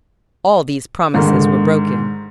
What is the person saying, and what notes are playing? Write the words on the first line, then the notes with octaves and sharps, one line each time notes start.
All these promises were broken.
G#2 D3 D#3